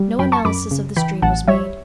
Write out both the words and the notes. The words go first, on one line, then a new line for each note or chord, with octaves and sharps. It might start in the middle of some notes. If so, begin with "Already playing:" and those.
No analysis of this dream was made.
Already playing: G3
F#2 G5 B5
A5 C#6
F#2 B5 D6
C#3
E3 G5 B5
A1 F#5 A5
G3 C#5 E5